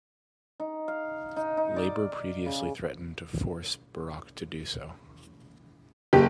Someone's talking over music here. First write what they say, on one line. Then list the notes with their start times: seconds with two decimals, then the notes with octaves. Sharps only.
Labor previously threatened to force Barak to do so.
0.60 D#4
0.88 F5
1.36 D#4
1.57 D#4
1.76 D5
2.46 C#3
6.13 F#1 G4